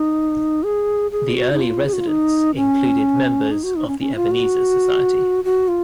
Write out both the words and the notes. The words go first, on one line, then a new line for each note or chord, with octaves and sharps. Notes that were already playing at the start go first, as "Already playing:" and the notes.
The early residents included members of the Ebenezer Society.
Already playing: D#4
G#4
G#4
F#4
D#4
F4
G#4
F#4
F4
D#4
C#4
D#4
F#4
D#4
C#4
C#4
F4
F#4
F#4
F4